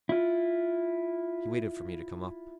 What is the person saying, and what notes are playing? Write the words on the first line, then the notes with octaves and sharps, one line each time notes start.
He waited for me to come up.
E4 F4